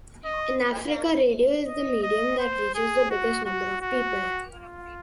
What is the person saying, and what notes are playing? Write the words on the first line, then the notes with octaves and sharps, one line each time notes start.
In Africa, radio is the medium that reaches the biggest number of people.
D#5
D#5
D#5
C5
G#4
F#4
F#4
F#4
F4